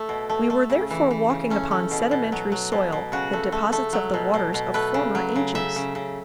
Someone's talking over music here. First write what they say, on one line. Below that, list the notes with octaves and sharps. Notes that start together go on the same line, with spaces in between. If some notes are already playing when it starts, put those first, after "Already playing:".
We were therefore walking upon sedimentary soil, the deposits of the waters of former ages.
Already playing: A3
B2
A3
A3
C#3
E3
E3
C#3
A3 C#4
A3
B2
B2
F#3
F#3
B2
B2
C#3 F#4
A3
A3
A3
F#3
B2
B2
B2
A3 B4
C#3
F#3
C#3
C#3 E5
C#3
C#3